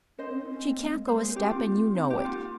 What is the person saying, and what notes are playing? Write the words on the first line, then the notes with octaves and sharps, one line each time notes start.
She can't go a step, and you know it.
C#4 C5 D#5
C4
C#4
D#4
C#4
C4
A#3
G#3
G#3 C5
A#3 G#4
C4 G4
C#4
C4 F4
A#3
A#3
C4 D#4
A#3 G4
G#3
A#3 F4